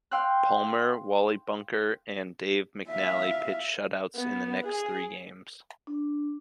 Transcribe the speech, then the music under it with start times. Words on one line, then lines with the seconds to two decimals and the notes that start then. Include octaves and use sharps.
Palmer, Wally Bunker and Dave McNally pitched shutouts in the next three games.
0.11 F5 G5 C6 E6 F#6
2.89 E5 F5
4.16 B3
4.66 G#4
5.87 D4